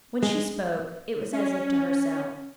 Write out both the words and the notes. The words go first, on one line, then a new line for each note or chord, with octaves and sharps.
When she spoke, it was as if to herself.
G#3
C#4